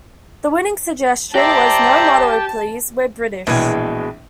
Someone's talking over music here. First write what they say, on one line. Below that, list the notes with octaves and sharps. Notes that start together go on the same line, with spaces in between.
The winning suggestion was "No motto please, we're British".
G4 C5 D5 E5 A5 A#5
A#1 B2 E3 G#3 G5